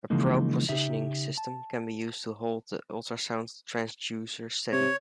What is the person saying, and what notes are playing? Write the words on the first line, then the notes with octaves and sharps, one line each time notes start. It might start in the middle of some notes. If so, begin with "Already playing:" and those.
A probe positioning system can be used to hold the ultrasound transducer steady.
C#3 E3 F3 G#3 A#3 D#4
C#3 D#4 G4 E5
A5
C3 C#5